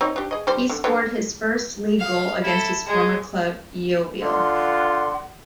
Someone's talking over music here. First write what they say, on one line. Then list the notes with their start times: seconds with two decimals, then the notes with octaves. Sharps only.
He scored his first league goal against his former club Yeovil.
0.01 C4 D#4 C#5
0.16 D4 G4
0.31 G#4 D#5
0.47 G3 G4 C5
0.69 D3
0.84 D3 B3
2.00 F5
2.41 E4 A4
2.86 G#3 G#4
4.22 D3 F4 F#5 C6